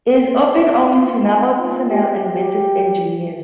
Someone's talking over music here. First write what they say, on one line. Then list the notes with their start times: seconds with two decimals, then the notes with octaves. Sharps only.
It is open only to Naval personnel and Bettis engineers.
0.24 C4
0.57 D4
0.90 F4
1.23 D#4
1.56 F4
1.89 G4
2.22 G4